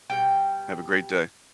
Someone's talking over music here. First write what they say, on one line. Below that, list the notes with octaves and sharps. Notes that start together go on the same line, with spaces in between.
Have a great day.
B2 G3 G5